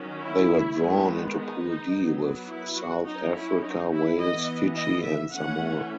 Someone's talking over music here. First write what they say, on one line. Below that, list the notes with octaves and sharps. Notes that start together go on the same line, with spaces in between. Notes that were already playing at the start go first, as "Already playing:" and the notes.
They were drawn into Pool D, with South Africa, Wales, Fiji and Samoa.
Already playing: D#3 F#3 C#4
E4
D#3 G#3 B3
D#4
F#3 B3
E4
F#4
F#3 C#4 D#4
E4
D#4
E4
E3 B3 D#5
D#5
E5
E3 A3 C#4 F#5